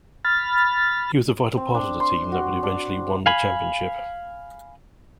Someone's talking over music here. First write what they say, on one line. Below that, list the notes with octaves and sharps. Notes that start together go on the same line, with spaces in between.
He was a vital part of the team that would eventually won the championship.
B5 F6 A6
C4
D4
C6
F#4
D4
F5 G#5 B5